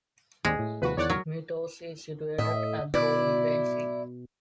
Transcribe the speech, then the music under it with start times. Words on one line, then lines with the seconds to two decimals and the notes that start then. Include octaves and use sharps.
Myrtos is situated at the Libyan Sea.
0.45 D#2 G#3 C4 D5
0.59 A2
0.82 D#2 C3 F3 F#4 B4
0.97 E2 D#3 C#5 D5 F#5
1.10 F#3 A#4
2.38 A2 D#5 E5
2.94 B2 E4 D5